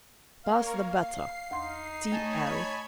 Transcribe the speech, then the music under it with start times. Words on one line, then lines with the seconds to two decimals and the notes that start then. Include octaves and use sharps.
Pass the butter. T.l.
0.44 A#3 A#4 C#5 F5
0.87 C7
1.51 E2 D#4 C6
2.12 A3 C#5 D#5 G#5 A5 B5 G#6